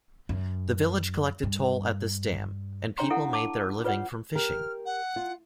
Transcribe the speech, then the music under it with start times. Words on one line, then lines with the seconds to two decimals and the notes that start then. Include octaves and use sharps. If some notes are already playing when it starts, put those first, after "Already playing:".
The village collected toll at this dam, and people made their living from fishing.
0.29 F#2
1.43 G2
2.98 D4 C#5 G5 A#5 C6
3.10 E4 A4 F5 F#5
3.33 A5 D6
3.84 F4 B4 C#5 F#5
4.35 G4 A#4 F6
4.85 F#5
5.16 F4